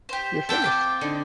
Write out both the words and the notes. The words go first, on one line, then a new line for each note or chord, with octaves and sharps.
your fitness.
G4 C5
A3 C4 D5 F#5 G5 A5
F4 B5 D6
D3 D#4